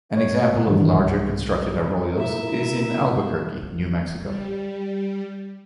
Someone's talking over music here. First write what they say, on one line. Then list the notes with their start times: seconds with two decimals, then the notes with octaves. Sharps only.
An example of larger constructed arroyos is in Albuquerque, New Mexico.
0.17 C#5
0.67 G2 D#3 E3 G3
0.93 C2
2.18 A#3 E4 E5
4.22 G3